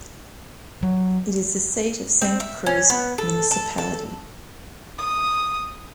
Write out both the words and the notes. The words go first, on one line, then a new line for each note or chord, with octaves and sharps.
It is the seat of Santa Cruz municipality.
F#3
C4
E5
C#4
B3
A4
A4
A4
D#6